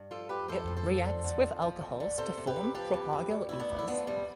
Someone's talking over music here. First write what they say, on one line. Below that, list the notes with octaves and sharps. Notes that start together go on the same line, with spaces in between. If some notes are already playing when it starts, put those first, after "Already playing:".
It reacts with alcohols to form propargyl ethers.
Already playing: G2
F3 F4 A4
F3 G4 B4
F3 A4 C5
F3
A4 C5
F3
D3
D3
F2
F3
F2
D3
C3 A4 C5
C3
G4 B4
C3
F3 G4 B4
F2
F2
D2
D2 E4
B3 D4
D2
E4
F3 B3 D4
C3 G3 B3